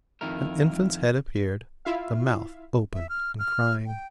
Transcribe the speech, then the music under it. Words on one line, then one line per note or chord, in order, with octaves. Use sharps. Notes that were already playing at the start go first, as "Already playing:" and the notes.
An infant's head appeared, the mouth open and crying.
F2 D#3 E4 A#4
E4 F4 E5 F5
E5
F6
F6
G5